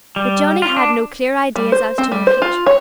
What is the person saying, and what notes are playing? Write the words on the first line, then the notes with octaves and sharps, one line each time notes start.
But Johnnie had no clear ideas as to her future.
G3
F4
D4
G3
C5
C4
G3
C5
F4
C#5